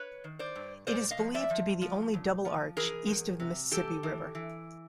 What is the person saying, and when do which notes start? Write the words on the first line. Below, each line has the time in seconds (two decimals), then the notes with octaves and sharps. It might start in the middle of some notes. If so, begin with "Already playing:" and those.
It is believed to be the only double-arch east of the Mississippi River.
Already playing: B4 C#5
0.24 D#3
0.39 C5 D5
0.56 G2
0.87 A#2 C5 D5
1.11 D#5 F5
1.18 F3
1.34 D5 E5
1.50 F3
1.82 F3
2.14 A#2
2.45 F3
2.77 E3 G#4 A#4
3.08 E2
3.40 C3
3.71 E3 G4 A4
4.03 E3
4.35 E3